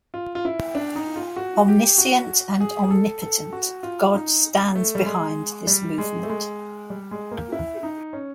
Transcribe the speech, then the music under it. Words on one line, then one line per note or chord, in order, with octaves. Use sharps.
Omniscient and omnipotent God stands behind this movement.
F4
F4
E4
D4
D#4
F4
F#4
G4
F#4
G#4
G#4
A4
A4
F#4
F4
D#4
A3
G3
G#3
G3
G#3
A3
G#3
G3
G#3
A#3
E4
D#4
C#4